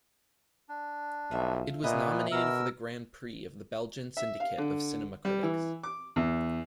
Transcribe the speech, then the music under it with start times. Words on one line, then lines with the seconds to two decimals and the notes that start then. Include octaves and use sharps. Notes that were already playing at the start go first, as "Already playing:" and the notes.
It was nominated for the Grand Prix of the Belgian Syndicate of Cinema Critics.
0.69 D4
1.31 B1 F3 E5
1.83 A#2 B3 E4 B4 D#5 E5
2.31 B2 A#4 E6
4.17 E5
4.40 F5
4.58 D3
5.25 G3
5.43 E3
5.83 D6
6.16 E2